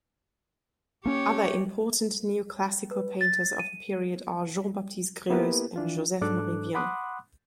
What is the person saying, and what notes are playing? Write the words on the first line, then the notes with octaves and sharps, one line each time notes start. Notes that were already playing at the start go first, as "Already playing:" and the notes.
Other important neoclassical painters of the period are Jean-Baptiste Greuze and Joseph-Marie Vien.
A#3 C#4 G4 C#5
B4
A6
D#7
A#3 B3 E4 G4 A#4 B4
E3 D4 F4
G#2 F#3 D4 A4 D6 F#6
F#5 B5 C6 D6 D#6 F#6